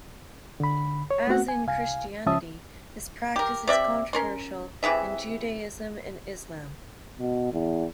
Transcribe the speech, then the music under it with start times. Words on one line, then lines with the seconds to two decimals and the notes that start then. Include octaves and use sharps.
As in Christianity, this practice is controversial in Judaism and Islam.
0.60 D3 B5
1.11 C#5
1.27 A3 B3 C4 F#4 F#5
1.48 G#5
1.67 C2 F5 G#5
2.26 C#2 F3 C#4 E5 A5 D#6
3.36 G4 A#4
3.68 C3 D5 E5
4.13 C#4 A#4 C6
4.83 C3 E3 G#4 E5
7.20 B2
7.53 E2